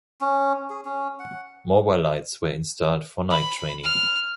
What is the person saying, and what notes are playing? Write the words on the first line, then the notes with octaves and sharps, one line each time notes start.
Mobile lights were installed for night training.
C#4
G#4
C#4
F#5
B5
F6